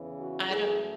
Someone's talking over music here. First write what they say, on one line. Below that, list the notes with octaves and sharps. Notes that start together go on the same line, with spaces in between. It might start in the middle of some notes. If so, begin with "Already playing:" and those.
I don't
Already playing: E2 C#3 E3
F#4
F#2 E3 A3 G#4